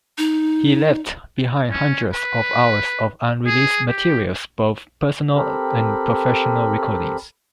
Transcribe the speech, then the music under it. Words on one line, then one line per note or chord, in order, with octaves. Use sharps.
He left behind hundreds of hours of unreleased materials, both personal and professional recordings.
D#4
C#4
B4
G#4
G4
C4 G4 A4 A#4 B5